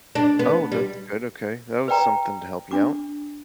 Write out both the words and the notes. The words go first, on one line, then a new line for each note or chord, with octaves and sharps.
Oh, that's good, okay. That was something to help you out.
D4
B3
G3
B4 D5 G5 A#5
D4 D6